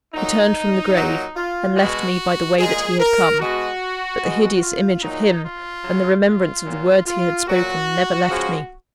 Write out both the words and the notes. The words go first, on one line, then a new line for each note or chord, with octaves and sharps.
He turned from the grave, and left me by the way that he had come; but the hideous image of him, and the remembrance of the words he had spoken, never left me.
A#2 F#3 D#4
A#2 F#3
F4
B2 G#3 F#4
A#2 G#3 G#4
A#4
B2 G#3 F#4
B2 G#3
F4
A#2 F#3 D#4
F4
C#3 F#3
F4
A#2 F#3
F4
A#2 F#3 F#4
C#3 F3 G#3